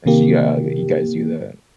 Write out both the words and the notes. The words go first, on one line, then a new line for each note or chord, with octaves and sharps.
that you, uh, you guys do that.
C3 D#3 A#3 G4